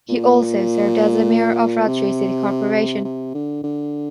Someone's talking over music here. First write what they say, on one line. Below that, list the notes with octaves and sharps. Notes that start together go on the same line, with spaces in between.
He also served as the mayor of Rajshahi City Corporation.
A#2
C3
C3
D3
D3